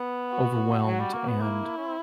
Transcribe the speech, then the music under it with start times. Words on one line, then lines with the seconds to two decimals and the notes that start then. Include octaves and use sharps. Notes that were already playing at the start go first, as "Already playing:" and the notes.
overwhelmed and
Already playing: B3
0.32 F#4
0.87 F#3
1.00 G3
1.14 A#3
1.28 B3
1.41 A#3 E4
1.77 C#4
1.86 C4